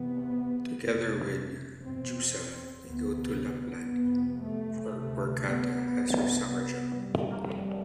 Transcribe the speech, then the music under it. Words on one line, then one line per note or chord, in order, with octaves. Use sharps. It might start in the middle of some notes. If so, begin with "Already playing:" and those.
Together with Jusa, they go to Lapland where Kata has her summer job.
Already playing: E2 C3 B3
F2 C3
E2 B2 C4
D2 C3 B3
F2 C3 B3
A3
D2 C3
B3
C2 C3
B3
F2 C3 G3